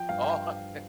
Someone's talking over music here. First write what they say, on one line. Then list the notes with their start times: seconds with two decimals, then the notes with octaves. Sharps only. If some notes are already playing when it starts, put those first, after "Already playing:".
Oh, okay.
Already playing: F3 G5
0.09 G2 F5
0.24 G5